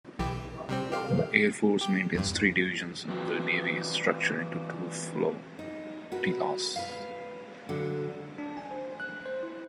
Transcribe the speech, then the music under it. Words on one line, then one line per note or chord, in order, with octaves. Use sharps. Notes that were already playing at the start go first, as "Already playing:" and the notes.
The Air Force maintains three divisions and the Navy is structured into two flotillas.
B1 E3 G4
C3 G3 C4
G4 F5
G4
E2 G2
E3 C4 F#4
D#4
F#4 A#4 B4
B4 F5
D3 F#3
D4
G#5
C5
F#6
C5
E4